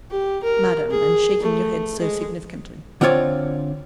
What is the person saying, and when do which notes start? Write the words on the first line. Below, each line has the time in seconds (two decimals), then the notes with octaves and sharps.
Madam, and shaking your head so significantly?
0.10 G4
0.44 A#4
0.91 G#4
1.43 A3
1.99 G#3
3.01 D3 C4 F4 C#5 D5